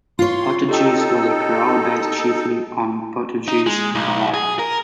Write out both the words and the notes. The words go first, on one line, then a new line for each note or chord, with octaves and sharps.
Portugis was a creole based chiefly on Portuguese and Malay.
F4 C#5 C6
D#4 G4 A4 D#5 G5
D#4
G#3
B1
G#4
A#4